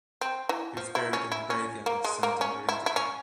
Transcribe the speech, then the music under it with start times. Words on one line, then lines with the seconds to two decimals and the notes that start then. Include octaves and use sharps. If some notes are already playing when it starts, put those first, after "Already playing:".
He was buried in the graveyard of Santa Maria de Guess.
0.21 C4
0.49 E3
0.77 F3
0.95 E4
1.13 C#4
1.32 E4
1.50 C#4
1.86 A#3
2.04 G#3
2.23 A#3
2.41 C#4
2.69 E4
2.86 E4
2.96 C#4